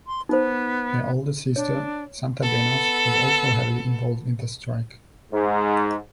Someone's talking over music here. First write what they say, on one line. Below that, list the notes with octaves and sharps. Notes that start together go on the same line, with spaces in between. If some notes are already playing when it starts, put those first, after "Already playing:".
Her older sister, Santa Benash, was also heavily involved in the strike.
C6
B3 D#4 C5
D4 C#5
B3 A4
G#2